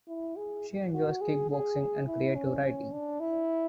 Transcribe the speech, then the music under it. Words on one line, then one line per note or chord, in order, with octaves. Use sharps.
She enjoys kick-boxing and creative writing.
E4
G#4
F#4
G#4
G#4
E4
C#4
C#4
D4
E4